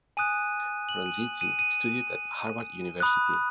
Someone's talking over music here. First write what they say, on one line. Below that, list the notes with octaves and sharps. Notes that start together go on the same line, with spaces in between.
Frondizi studied at Harvard University.
G#5 D#6 F#6 D#7
F#7
D#7
F#7
D#7
D#7
B5 D#6 F#6